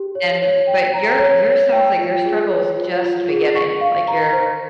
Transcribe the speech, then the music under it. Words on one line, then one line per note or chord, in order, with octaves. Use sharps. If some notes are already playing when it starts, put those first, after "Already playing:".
And but your your sounds like your struggle is just beginning, like you're
Already playing: G4
C#5
C#5
G5
A#5
C#5
C#5
G5
F4
G#4
C#5
F4
F4
G#4
C#6
F5
A#5
C5